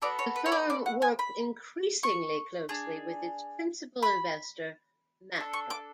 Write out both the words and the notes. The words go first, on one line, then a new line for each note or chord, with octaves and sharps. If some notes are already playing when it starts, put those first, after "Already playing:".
The firm worked increasingly closely with its principal investor Matra.
B3 F#4 A4 D5
C#5
B4
C#5
D5
D5
F#5
G#5
B5
C#6
D4 G#4
B5
D4 A4
C#6
D6